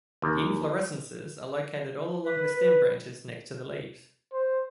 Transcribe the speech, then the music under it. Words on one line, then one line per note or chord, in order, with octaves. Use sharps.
The inflorescences are located all along the stem branches next to the leaves.
D#2
B4
C5